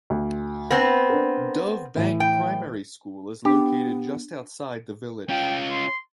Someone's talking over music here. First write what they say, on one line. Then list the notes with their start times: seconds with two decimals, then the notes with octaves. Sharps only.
Dove Bank Primary School is located just outside the village.
0.10 D2
0.71 B3 C4 A5 A#6
1.10 D4 A#4
1.96 A2 E3
2.20 G5
3.45 B3 D4 G4
5.29 C#4 F4 G5
5.71 C6